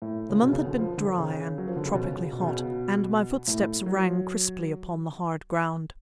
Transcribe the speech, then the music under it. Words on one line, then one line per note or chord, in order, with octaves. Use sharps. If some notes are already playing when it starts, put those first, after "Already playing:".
The month had been dry and tropically hot, and my footsteps rang crisply upon the hard ground.
A2
C#3
B2
C#3
D3
F3
D3
C#3
F#3
F3
D3
C#3
B2
C#3
B2
C#3
B2
A2
F#3